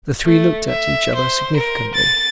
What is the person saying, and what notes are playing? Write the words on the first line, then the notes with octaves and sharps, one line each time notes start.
The three looked at each other significantly.
A3
E5
C5
A#4
A6